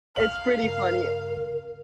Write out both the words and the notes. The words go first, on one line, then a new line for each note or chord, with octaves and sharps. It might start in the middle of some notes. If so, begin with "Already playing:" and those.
It's pretty funny
F5 F6 F#7
G2 C#3 A#4